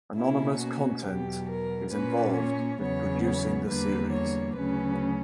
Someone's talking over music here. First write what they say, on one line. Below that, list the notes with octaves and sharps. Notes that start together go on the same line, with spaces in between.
Anonymous Content is involved with producing the series.
B2 A#3 C#4 E4
F#4
E2 B2 F#3 G4
A#4
A#2 A#3 C#4 B4
C#5
E2 C#3 F#3 B3 C#5
C#5
E2 D3 G3 A#3 B4
C#5
D2 C#3 F#3 C#4 B4